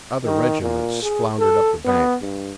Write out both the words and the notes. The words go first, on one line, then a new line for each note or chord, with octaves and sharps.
Other regiments floundered up the bank.
D#3
A#2
G#4
A4
B3
G2